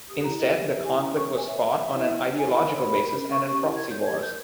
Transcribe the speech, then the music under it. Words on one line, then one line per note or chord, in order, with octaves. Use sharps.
Instead, the conflict was fought on an ideological basis and in proxy wars.
G4 D#6
E4 A#5
G4 D#5
G4 D#5
G4 E5
E4 G#5
C#4 A#5
C#5 C#6
A#4
G#5
C#5 E5
C#5 E5
C#5
E4
C#5
C#5
E4 G#5
A#4 B5
C#5
G4
A#4
C#4
C#4 C#6
G4 C#6
E4
A#4 G#6
C#5 G6
G4 G#6
A#4 G6